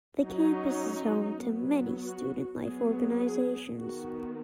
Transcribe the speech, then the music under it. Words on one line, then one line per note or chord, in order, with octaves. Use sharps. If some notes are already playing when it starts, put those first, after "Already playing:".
The campus is home to many student life organizations.
F#3 C#4 D#4
F#3 B3
F#4
F#3 B3 G#4
G#4
D#3 B3 F#4